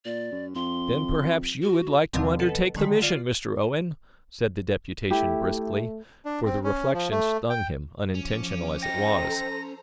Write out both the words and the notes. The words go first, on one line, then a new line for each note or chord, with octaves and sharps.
"Then perhaps you would like to undertake the mission, Mr. Owen," said the Deputation briskly; for the reflection stung him, unintentional as it was.
A#2 D5
F#2
F2 C6
F#4
D#2 B2 D3 F3 G3 C4
B2 A4 B4
D3 D#3 G#3 B6
F4 D5
A3 E4 G4
D4
C4
C#4
F3
A3
G5
F3 C#4 D6
A4 C5 D#5 G5 A#5 A#6